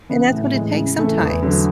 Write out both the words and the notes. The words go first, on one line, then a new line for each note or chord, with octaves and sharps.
And that's what it takes sometimes.
C#3 E3 B3
A2
E3 G#3
C#3
E3 A3 E4
E2
D3 F#3